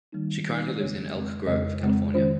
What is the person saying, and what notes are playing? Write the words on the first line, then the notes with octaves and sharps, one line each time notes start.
She currently lives in Elk Grove, California.
D#3 G3 A#3 D#4
D#3 G3 A#3 D#4
F2 C#3 G#3 C4 C#5
F2 C#3 G#3 C4
F2 C#3 G#3 C4 D#5
F2 C#3 G#3 C4
D#3 G#3 C#4 F4 C5